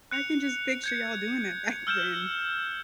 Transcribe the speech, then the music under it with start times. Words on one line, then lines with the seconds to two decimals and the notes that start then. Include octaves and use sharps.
I can just picture y'all doing that back then
0.11 F#6 C#7 F7
0.84 G6 G#6 C#7
1.87 E6 F6 G6 G#6 E7